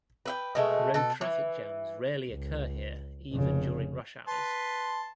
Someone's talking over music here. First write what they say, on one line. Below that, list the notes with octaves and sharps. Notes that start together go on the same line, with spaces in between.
Road traffic jams rarely occur here even during rush hours.
B4 E5 G5
B2 G#3 A3
B2 A4
E3
C#2
F1 C#3
B4 A5 C6